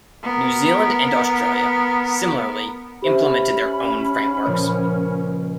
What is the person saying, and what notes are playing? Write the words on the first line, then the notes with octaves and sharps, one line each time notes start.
New Zealand and Australia, similarly, implemented their own frameworks.
B3 A#4
C#4 G4 C5 E5 B5
C#2 A#2 F3 C#5